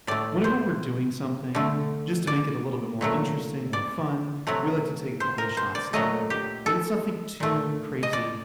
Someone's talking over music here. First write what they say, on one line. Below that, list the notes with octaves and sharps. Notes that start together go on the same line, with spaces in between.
whenever we're doing something, just to make it a little bit more interesting or fun, we like to take a couple of shots together. And it's nothing too crazy,
A2 A3 D5
C5
D3 A3
D5
A#2 F#3 A3
D5
C3 F#3 A3
C5
A#4
C5
D5
A#2 F#3 A3 D#5
G4
A4
A#2 A3
D#5
D5